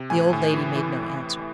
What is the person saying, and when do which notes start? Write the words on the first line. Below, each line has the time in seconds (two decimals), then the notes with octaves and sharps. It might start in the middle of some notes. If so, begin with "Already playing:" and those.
The old lady made no answer.
Already playing: C3
0.10 A2 G#5
0.33 A2
0.54 E3
0.76 E3